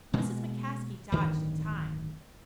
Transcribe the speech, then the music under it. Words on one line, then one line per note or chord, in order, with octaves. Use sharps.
Mrs. McCaskey dodged in time.
B2 G#3 A#3
D1 G2 D#3